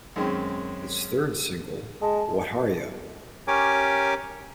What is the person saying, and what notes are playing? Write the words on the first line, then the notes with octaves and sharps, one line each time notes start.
Its third single, Whatareya?
F#2 D#3 G#3 C4 C#4
G#3 A5
C#4 G4 A#4 C#5 G#5 D6